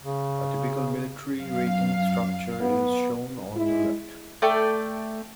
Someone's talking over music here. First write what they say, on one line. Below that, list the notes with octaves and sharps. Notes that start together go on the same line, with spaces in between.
A typical military rating structure is shown on the left.
C#3
F#2 F5
B3
G#3 E4
A3 D5 G5 A5